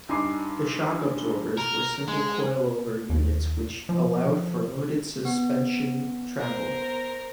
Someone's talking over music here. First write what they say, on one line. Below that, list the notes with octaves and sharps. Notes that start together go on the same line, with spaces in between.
The shock absorbers were simple coilover units which allowed for limited suspension travel.
G2 D#4 G#5 C6 D6 C7
A#4
G#3
D#2
F3
B3
A#4 C5